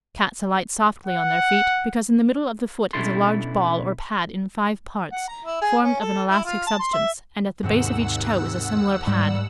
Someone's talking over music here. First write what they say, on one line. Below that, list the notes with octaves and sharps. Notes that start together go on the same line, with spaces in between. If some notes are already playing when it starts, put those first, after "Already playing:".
Cats alight softly on their feet, because in the middle of the foot is a large ball or pad in five parts, formed of an elastic substance, and at the base of each toe is a similar pad.
F#5
B2 C#4 D4 E4 A4 C6
F#5
A#5
E4
G#4
C#4
A4
E4
F4
A5
C6
E5
D#2 G#2 C3 D#3 F#5 E6
G#2 G3